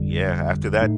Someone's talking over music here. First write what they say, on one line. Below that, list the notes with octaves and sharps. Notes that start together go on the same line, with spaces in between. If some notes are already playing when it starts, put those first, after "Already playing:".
Yeah, after that
Already playing: G1 F2 D3 G3
A2 A3 D#4